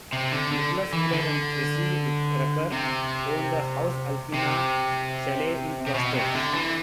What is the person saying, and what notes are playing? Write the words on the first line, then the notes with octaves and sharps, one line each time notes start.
Nicholas Wheeler and Chrissie Rucker own the Haus Alpina chalet in Klosters.
C3
D3
D3
E3
D3
C3
C3
C3
B2
C3
D3
E3